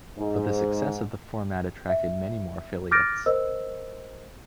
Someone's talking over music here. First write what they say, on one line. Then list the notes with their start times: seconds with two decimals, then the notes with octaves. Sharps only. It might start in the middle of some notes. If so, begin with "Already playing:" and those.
But the success of the format attracted many more affiliates.
0.18 G#2
1.89 E5
2.91 D6 F6 G6 A6 A#6 D7
3.26 A#4 C5 D#5 E6